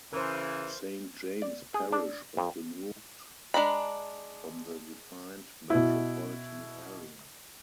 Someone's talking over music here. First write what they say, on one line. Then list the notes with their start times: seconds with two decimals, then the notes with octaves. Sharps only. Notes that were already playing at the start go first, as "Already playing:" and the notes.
Saint James Parish was removed from the defined metropolitan area.
0.13 C#3 E3 A#4 C5
1.42 D5
1.74 G#4
1.92 D4
2.37 F2
3.54 G#3 D4 A#5 B5
5.70 B2 E4